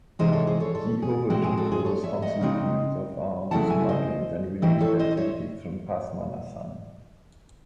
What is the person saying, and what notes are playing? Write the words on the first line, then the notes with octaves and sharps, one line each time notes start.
He overtook the responsibilities of arms smuggling and related activities from Pathmanathan.
C3 E3 G#3 D#4 C5 D#5
A4 C#5
G#4 C5
A4 C#5
A4 C#5
G#4
A2 G#3 C4 F#4
G#4
F#4 A4
G#4 C5
A4 C#5
C#5 E5
D#5 F#5
C#3 G#3 C4 D#4
C#3 F#3 A3 C4 E4 F#5 A5
E5 G#5
C5 D#5
E3 C4 E4 C5 D#5
A4 C#5
C5 D#5
C#5 E5